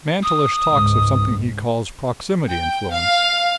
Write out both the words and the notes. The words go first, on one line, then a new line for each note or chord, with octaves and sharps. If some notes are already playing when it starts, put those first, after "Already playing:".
Mantelish talks of something he calls proximity influence.
D#6
C#2 G#2
G5
F5